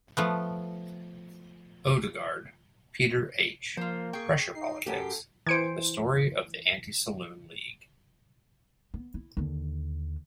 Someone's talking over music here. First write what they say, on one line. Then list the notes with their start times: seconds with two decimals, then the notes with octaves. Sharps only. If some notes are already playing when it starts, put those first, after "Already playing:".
Odegard, Peter H. "Pressure Politics: The Story of the Anti-Saloon League".
0.17 F3 A3 B3
3.77 F3 A#3 F4 C5
4.13 G#4 G5 C#6
4.55 D#4 C7
4.86 F#2 G4 A4
5.47 E3 C5 G#6 C#7 D7
8.94 B3
9.14 E4
9.37 D#2 D3